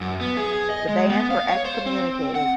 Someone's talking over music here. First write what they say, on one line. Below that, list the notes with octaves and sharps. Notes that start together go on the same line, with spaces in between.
The bands were excommunicated.
F#2
B3
G#4
D#5
G#3
B3
F5
C#5
C5
C4
F#5